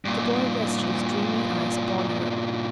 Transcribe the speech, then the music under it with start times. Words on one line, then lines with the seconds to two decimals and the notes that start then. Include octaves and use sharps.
The boy rested his dreamy eyes upon her.
0.05 G2 A#2